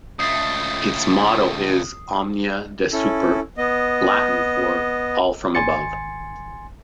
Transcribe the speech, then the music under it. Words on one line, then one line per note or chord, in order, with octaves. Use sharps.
Its motto is "Omnia Desuper", Latin for "All From Above".
C#2 A3 D#6 C7
C#4 E4 A4
B3 D#5
G#1 G#5 C6 A6 C#7